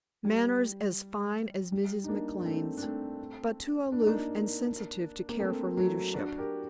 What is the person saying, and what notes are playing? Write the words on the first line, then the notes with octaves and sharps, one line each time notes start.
Manners as fine as Mrs. McLane's, but too aloof and sensitive to care for leadership.
G3
G3
D#4
A#3 D4
D4
A3 C4
D4
A3 C4
D4
D#4
A#3 D4
A#3
A3 C4
F#3 A3
D4 F#4
G4 A#4